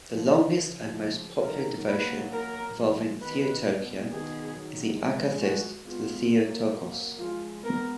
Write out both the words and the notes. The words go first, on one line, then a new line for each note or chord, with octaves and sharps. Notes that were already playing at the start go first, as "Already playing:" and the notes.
The longest and most popular devotion involving Theotokia is the Akathist to the Theotokos.
C#3 F3
C#3 F3
D#3 F#3 A#4
F#3 A#3 B4
A#4
F3 G#3
B2 D#3 B4
B2
B2 D#3 G#4
D#3 F#3
F3 G#3
F#4
G#3 B3 F4
F#3 A#3
F#3 A#3
F3 G#3 F4
G#3 B3 A#4